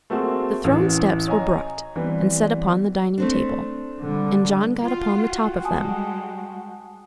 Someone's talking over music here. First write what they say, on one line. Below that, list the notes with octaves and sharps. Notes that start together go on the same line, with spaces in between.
The throne-steps were brought, and set upon the dining-table, and John got upon the top of them.
A3 A#3 C4 F#4 G#4
A1 E3
C#5 D#5 G#5 A#5
E3 G3 B3 C4 B4
A3 C4 D4
D3 G3
F4 F#4 G5
G3 G#3 G#5 A5 D#6